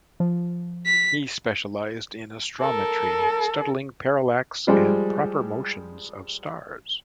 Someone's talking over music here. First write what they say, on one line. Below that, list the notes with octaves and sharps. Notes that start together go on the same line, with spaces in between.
He specialized in astrometry, studying parallax and proper motions of stars.
F3
B6
A4 A#4
F3 G3 G#3